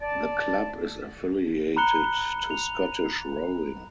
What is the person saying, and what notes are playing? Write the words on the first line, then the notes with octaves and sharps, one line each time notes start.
The club is affiliated to Scottish Rowing.
D5 A5
A#5 B5 F#6 C#7 G7
F7